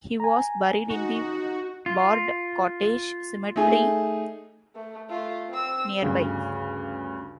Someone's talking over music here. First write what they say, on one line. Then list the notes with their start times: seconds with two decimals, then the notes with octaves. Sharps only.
He was buried in the Bard Cottage Cemetery nearby.
0.20 G#5 A#5
0.89 D#4 F#4
1.86 F4
3.56 A3 D#4 G#4
4.75 A3
5.10 A3 F4
5.50 C4 E6
6.02 D2 G2 C#3